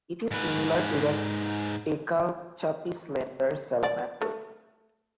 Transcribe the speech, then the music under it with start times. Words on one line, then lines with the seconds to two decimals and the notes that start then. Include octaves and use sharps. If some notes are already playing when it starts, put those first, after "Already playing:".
It is similar to the Tehachapi slender salamander.
0.31 G#2 B4
3.83 D5
4.22 A3